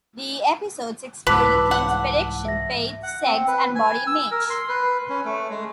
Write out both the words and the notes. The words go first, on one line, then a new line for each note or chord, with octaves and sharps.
The episodes explore the themes of addiction, faith, sex and body image.
C2 G#2 E3 B4 A5 D6 E6
F#5
E5 A#6
F#5
C4
B4
G#5
E6
A#4
C6
B4
C#4
A3
G#3